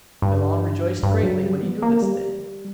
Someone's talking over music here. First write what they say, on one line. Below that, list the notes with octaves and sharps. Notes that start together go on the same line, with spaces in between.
Milon rejoiced greatly when he knew this thing.
G2
G2
F#3
G3
B3
A#3
G3